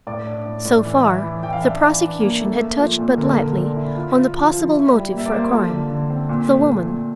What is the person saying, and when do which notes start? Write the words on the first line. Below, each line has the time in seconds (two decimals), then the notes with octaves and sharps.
So far, the prosecution had touched but lightly on the possible motive for a crime--the woman.
0.07 A2 D5
0.26 D4
0.46 A2
0.65 A2
0.85 E3
1.05 E4
1.24 E3
1.43 E3 G5
1.53 F5
1.62 D4 E5
1.81 E3
2.02 D4
2.20 A#3
2.40 A3
2.60 A3
2.79 F3
2.98 A#2
3.18 D3 A#4
3.26 A4
3.33 D3 A#4
3.57 D3
3.76 E4
3.96 F4
4.15 F4
4.34 F3
4.54 F3
4.74 E4
4.93 G3
5.12 A#3
5.18 E5
5.26 D5
5.32 A#3 C5
5.43 A#4
5.51 F4 A4
5.70 D3
5.90 D3
6.10 C4
6.29 A#2
6.48 A3
6.68 A#2
6.87 A#2